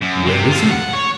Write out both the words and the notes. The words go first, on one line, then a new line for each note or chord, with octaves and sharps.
"Where is he?"
F#2
C3
A2 F4
F#5
C#5